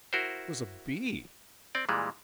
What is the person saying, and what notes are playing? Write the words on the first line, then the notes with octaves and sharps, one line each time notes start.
It was a bee.
E4 F#4 A#4 C5
C4 D5
A#2 E3 G3 G#3